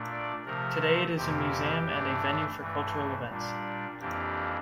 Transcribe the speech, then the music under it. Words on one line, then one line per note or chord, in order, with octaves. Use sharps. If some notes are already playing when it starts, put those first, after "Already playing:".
Today, it is a museum and a venue for cultural events.
Already playing: A#2 A3 D4
D5
C3 F3 A3 A#4
F2 C3 E3 A#3 G4
G2 E3 A3 D4
G2 E3 A3
A#2 G3 D4
F2 E3 A#3 D4 G4